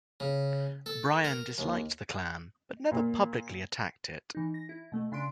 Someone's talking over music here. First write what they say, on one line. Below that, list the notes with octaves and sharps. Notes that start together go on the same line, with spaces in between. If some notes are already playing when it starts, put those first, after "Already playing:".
Bryan disliked the Klan but never publicly attacked it.
C#3
A4
A#4
D#2
A#2
E3 D#4
A#6
E4
B2 A3
C#3 D4 C6 D7